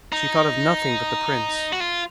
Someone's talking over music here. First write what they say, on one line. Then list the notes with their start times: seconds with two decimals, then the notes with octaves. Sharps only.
She thought of nothing but the prince.
0.12 D#4
1.73 F#4
1.80 F4